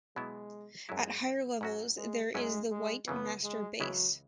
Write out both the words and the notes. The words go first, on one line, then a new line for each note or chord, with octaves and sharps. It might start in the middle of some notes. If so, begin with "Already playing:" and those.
At higher levels, there is the white master base.
B2 F#3 G#3 B3 E4
F#2 F#3 G#3 E4
G#2 F#3 C#4 F#4
G#3
F#2 F#3 G#3 C#4 E4
G#3
F#2 C#3 E3 B3
G#3
C#2 C#3 E3 F#3 G#3 E4